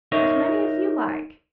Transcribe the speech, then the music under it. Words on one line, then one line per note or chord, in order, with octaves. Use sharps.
"As many as you like."
D#4 A#4 C#5 D#5 E5